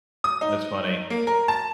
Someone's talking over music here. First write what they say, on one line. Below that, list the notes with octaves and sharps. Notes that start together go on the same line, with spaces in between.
That's funny.
D#6
D#4
A#3
A#4
A5